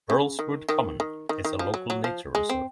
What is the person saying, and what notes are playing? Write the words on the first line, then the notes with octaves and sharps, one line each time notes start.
Earlswood Common is a Local Nature Reserve.
C#3
D#3
D#3
D#3
D#3
D#3
F3
F#3
F#3
F3
G#3
C4